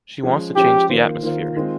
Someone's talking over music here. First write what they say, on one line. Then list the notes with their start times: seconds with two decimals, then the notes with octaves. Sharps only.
She wants to change the atmosphere.
0.23 F3 G#3 C#4 G#4
0.56 F3 G#3 C#4 G4 G#4
0.89 D#3 A#3 F4 C5
1.23 D#3 A#3 F4 C5
1.56 D#3 G#3 C4 F4